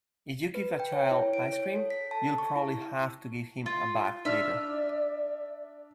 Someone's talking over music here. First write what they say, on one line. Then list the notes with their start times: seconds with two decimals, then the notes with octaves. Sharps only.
If you give a child ice cream, you'll probably have to give him a bath later.
0.55 B4
0.80 G5
0.92 C#5
1.11 E4
1.33 D7
1.53 C#5
1.76 A4
1.90 B6
2.11 A5
2.38 C#6
2.56 E4
3.66 F4
4.25 D4 D5 E5 E6 F6